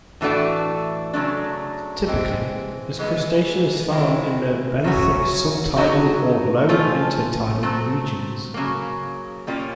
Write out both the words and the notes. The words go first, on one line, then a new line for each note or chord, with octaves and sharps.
Typically, this crustacean is found in the benthic sub-tidal or low inter-tidal regions.
A2 E3 A3 D4 F#4
C#3 F#3 A3 D4
E3 G#3 C4
E3 G#3 B3
D#3 G#3 C4 E4
C#3 F#3 A3 C#4 F#4
D3 F#3 B3 D#4 F#4
F3 A3 C4 F4 G#4
F#3 A3 C4
C#3 F#3 A#3
A#2 G3 A#3 C#4 F4